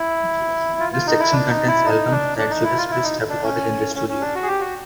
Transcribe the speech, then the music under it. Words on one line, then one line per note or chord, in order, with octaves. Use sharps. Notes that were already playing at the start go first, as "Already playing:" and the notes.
This section contains albums that Judas Priest have recorded in the studio.
Already playing: E4
F4
F4
D#4
E4
D4
D#4
E4
D#4
D4
D4
D#4
E4
F4
E4
D#4
D4
C#4
C#4
C#4
D4
F#4
G#4
G4
F#4